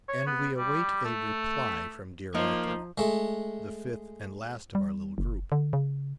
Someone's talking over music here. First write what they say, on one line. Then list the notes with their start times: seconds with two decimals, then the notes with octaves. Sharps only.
And we await a reply from "Dear Arthur"--the fifth and last of our little group.
0.08 C#5
0.26 B3
0.57 G3
1.05 A3
2.35 F3 A#3 D#4
2.98 G#3 A3
4.75 G3
5.18 F#1
5.52 D3
5.73 C#3